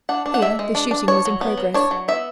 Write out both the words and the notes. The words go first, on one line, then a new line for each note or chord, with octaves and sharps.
Here the shooting was in progress.
D4 F#5
D4
F#5
G#3 E5
G#3
D4
D4
D4 C#5
F#3
B3
F#3
D4 C#5
F#3
B3 E5